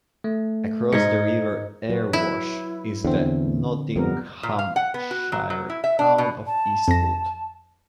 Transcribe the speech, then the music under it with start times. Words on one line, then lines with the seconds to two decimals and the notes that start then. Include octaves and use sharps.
Across the River Erewash is the Nottinghamshire town of Eastwood.
0.24 A3
0.92 G#2 D#4 G#6 C#7
1.89 F#3 F#4 B4
2.13 E4
3.04 E2 D3 C4
3.96 F2 G3 B3 A#4
4.43 A#2
4.59 F5
4.76 F#5
4.94 B3
5.11 F#4
5.32 F#3
5.50 F#3
5.70 E4
5.84 E5
5.99 D4
6.18 B2
6.47 A5
6.88 F2 A#6